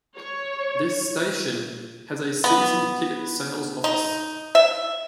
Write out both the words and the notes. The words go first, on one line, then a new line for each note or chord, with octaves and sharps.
This station has a season ticket sales office.
C#5
B3
D#4
E5